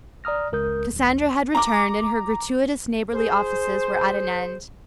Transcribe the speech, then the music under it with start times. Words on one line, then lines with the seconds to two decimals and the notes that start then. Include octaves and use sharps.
Cassandra had returned, and her gratuitous neighborly offices were at an end.
0.24 D5 A#5 D#6 F6 A#6
0.53 C#2 A#4 D#6 G6
0.93 A1 D2
1.55 A#5 D6
3.13 G#4 C5